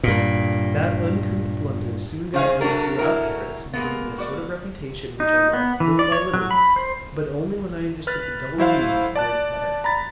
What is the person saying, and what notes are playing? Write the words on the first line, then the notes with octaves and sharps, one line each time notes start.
That uncouth blunder soon got known throughout Paris, and gave me a sort of reputation which I lost little by little, but only when I understood the double meanings of words better.
G2 A#2
C#3 C4 G#4 F5
C#3 F#3 A3 D4 F#4 A#4
E4 F#4 A#4
G#3 A#3 B3
F#4 D5
D#4
B3
E3
D5
C#5
F#3
B5
C5
B4 F6 F#6 A6
F#3 E4 C5 F5
D5 A5 F#6
A#5 B5 A6